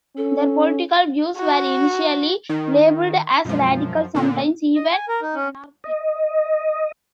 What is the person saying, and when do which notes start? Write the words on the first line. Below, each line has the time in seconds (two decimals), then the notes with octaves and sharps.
Their political views were initially labeled as radical, sometimes even anarchic.
0.17 C#4 A4
1.37 F#4
2.49 D#3 D#4
3.45 F#2 B2 F3 G#3
4.15 A#2 D3 B3 C#4
4.75 D#5
4.91 G#5
5.08 A#4
5.22 D#4
5.35 C#4
5.84 D#5